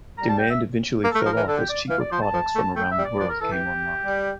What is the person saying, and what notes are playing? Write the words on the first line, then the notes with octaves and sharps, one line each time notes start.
Demand eventually fell off as cheaper products from around the world came online.
G3 A#5
A5
G5
E5
A#3
A4
A3
A#4
F3
E3 A#4
D3 A4
G4
D5
E3 F5
D5
F3 C5
A5
F3
A3
A3 G5
E5
G3
D5
F3 D5
A#4
E3 A4
G4
G3